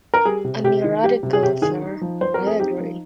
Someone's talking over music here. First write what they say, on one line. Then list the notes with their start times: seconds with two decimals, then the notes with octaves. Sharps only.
A neurotic girl, sir, I agree.
0.14 A#4
0.25 G3 G#4
0.45 C3
0.64 C3 G4
0.84 D#3
1.03 G3 G4
1.23 C3
1.33 G#4
1.43 C3 G4
1.62 D#3 G#4
1.82 D#4
2.01 F3
2.21 F3 C5
2.34 A#4
2.41 C4
2.47 G#4
2.60 D#4 G4
2.80 F3